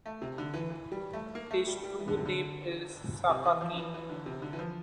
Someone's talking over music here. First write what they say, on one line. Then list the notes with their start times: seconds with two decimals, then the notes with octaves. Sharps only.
His true name is Sakaki.
0.06 A3
0.22 C3
0.38 D3
0.54 E3
0.70 E3
0.92 G3
1.13 A3
1.35 A#3
1.51 A3
1.67 G3
1.83 G3
1.99 E3
2.08 D3
2.17 C3
2.26 D3
3.29 C3
3.45 E3
3.61 F3
3.78 E3
3.94 E3
4.09 D3
4.26 C3
4.42 D3
4.53 E3
4.59 F3